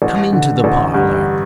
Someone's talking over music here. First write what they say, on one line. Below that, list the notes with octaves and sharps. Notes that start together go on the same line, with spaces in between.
Come into the parlour.
A1
D3
A1
G2